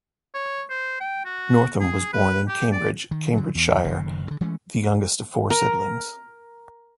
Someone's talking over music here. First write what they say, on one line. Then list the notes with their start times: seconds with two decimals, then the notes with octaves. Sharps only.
Northam was born in Cambridge, Cambridgeshire, the youngest of four siblings.
0.35 C#5
0.70 C5
1.00 G5
1.25 F#4
1.80 G#4
2.13 B4
2.48 G4
2.73 D5
3.11 D#3
3.33 D3 F#3
3.55 E2
3.85 F#1 B2 D#3
4.26 D2 D3
4.41 E3 G#3 A3 C#4
5.50 A#4